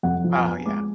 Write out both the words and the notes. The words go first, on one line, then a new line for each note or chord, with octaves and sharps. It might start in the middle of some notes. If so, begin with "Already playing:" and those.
Oh, yeah.
F2 F#5
F3
G#5
B3
G#3 D6